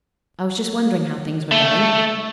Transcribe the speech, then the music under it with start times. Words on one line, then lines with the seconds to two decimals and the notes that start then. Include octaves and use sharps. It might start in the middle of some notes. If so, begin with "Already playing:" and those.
"I was just wondering how things were going."
1.52 A3